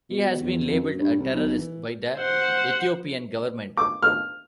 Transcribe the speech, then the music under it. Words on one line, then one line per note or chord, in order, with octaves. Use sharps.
He has been labelled a terrorist by the Ethiopian government.
B2
E2
F2
F#2
G2
C2
B1
E3
C5 F#5
D6
F6